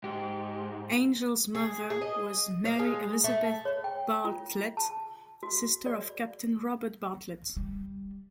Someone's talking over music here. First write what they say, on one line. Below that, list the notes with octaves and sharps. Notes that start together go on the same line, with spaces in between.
Angel's mother was Mary Elizabeth Bartlett, sister of Captain Robert Bartlett.
G#2 G4
G#4
G#4
D#5
F5
G#3
A3
C#5
G5
F4
A5
F#4
D5
G3